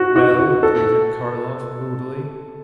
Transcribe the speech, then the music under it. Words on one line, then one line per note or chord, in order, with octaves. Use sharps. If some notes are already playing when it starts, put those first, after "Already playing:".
"Well?" greeted Karlov, moodily.
Already playing: F#4
F#4
F#4
A4